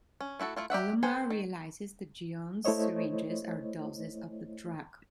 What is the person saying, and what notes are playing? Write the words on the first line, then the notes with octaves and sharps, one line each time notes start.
Alomar realizes that Gionne's syringes are doses of the drug.
C#4
A3 E4 F#4 A4
A3 E4 F4
G4 D5 E5 F#5
A4 B4 C5 G5 G#5
D#3
A3 E4 C5 C#5 D#5